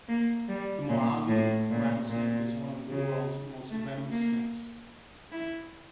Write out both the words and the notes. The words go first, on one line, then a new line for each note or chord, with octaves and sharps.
The Mojave rattlesnake is one of the world's most venomous snakes.
A#3
G3
A#2
A2
A#2
A#2
C#3
A3
A#3
E4